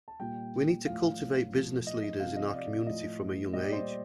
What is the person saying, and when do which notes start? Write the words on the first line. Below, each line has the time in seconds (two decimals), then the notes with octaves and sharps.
We need to cultivate business leaders in our community from a young age.
0.08 A5
0.19 A#2 G3 G5
0.86 A2 F3 F5
1.53 A2 F3
1.87 D#5
2.04 D#5
2.20 C3 F3 F5
2.36 D#5
2.54 D5
2.87 A2 F3 D#5
3.53 A#2 G3 D#5
3.63 D5
3.73 C5
3.82 D5